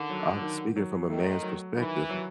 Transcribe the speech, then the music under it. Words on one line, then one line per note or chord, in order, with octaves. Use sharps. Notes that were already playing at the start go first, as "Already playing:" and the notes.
I'm speaking from a man's perspective.
Already playing: D3 D#3
F#3
D#3
F#3
D#3 A3
F#3
D#3 E3
F#3